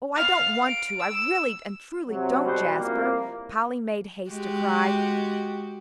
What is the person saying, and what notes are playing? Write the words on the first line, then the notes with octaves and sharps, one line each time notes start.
"Oh, I don't want to, I really and truly don't, Jasper," Polly made haste to cry.
F5
D7
E6
C3 F#3
B1 B2 G3 F#4 C5
C2 F2 A#3
G#3 F#4 G4